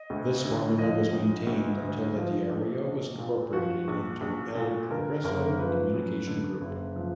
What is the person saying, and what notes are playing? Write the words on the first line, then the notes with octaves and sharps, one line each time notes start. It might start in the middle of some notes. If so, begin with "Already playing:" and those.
This formula was maintained until the Diario was incorporated into "El Progreso" Communication Group.
Already playing: D#5
D2
D3
F3 D#5
D2
D2
D3
F3
A#1
A#1
A#2
F3 F#4
A#1
A#1
A#2
D3 A#4
F#1 A#4
F3 B4
F#2
D3
F#1
F3